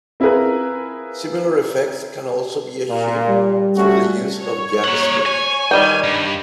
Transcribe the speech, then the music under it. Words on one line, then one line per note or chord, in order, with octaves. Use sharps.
Similar effects can also be achieved through the use of JavaScript.
C4 E4 F4 G#4 A#4 B4
A#2
G3
A3 C#4 F#4
C#5
A#3 F#5
G#5
D#3 G3 G5
G2